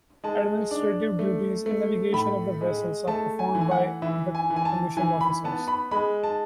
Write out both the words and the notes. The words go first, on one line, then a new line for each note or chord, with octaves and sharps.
Administrative duties and navigation of the vessels are performed by the commissioned officers.
G#3 A5
D4
A3
A3
A2 B5
G#3
A3 A5
G#5
E3
G#5
F#5
E3 E5
G#5
E3
G#5
A5
E3 G#5
B5
B3 A5
B5
G#3 B5
A5